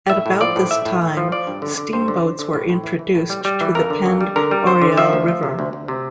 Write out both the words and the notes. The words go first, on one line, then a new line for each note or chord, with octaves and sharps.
At about this time, steamboats were introduced to the Pend Oreille River.
A2 E5
A2
F3 D5
A2
A2 E5
A2
A2
F3
F3 D5
G2
D3
D3
G2 C5
D3
D3
D3
A2
A2
E3
E3
A2
G3
G3
E3
F2 A#4
D3
F2
G3
D3 A#4
G3
F2 C5
D3
F3 E5
D2
F3
C3
D2
D2
C3